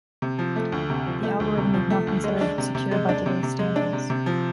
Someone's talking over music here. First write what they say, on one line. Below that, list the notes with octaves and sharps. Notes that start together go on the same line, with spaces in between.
The algorithm is not considered secure by today's standards.
C3
F3
A3
D2
C3
F3
A3
D2
C3
F3
A3
D2
G#3
D4
C3
C3
G#3
D4
C3
C3
G#3
D4
C3
C3
F3